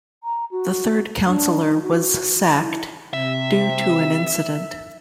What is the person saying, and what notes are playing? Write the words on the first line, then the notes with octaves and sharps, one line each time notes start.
The third councillor was sacked due to an incident.
A#5
F#4
D4
D#4
F#4
E4
C3 E5